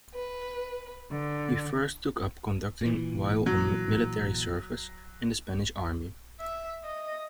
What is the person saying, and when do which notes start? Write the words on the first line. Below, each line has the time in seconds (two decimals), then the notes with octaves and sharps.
He first took up conducting while on military service in the Spanish Army.
0.16 B4
1.11 D3
2.81 A#2 E3
3.46 F#3
6.40 E5
6.85 D#5